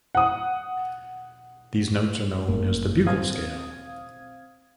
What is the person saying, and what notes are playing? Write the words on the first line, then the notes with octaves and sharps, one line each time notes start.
These notes are known as the bugle scale.
F#5 D#6
G1 F#2 A2 A#3
C4 F5 D#6 G#6